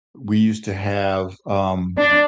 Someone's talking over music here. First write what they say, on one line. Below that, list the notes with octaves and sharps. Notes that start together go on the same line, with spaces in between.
we used to have um,
D4